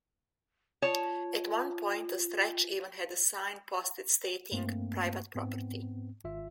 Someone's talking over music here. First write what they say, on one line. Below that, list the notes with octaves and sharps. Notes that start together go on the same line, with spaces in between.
At one point a stretch even had a sign posted stating Private Property.
F4 C#5 A5
G2 A3 A#3 C4
G#2 B3 C4
G#1 F4 E5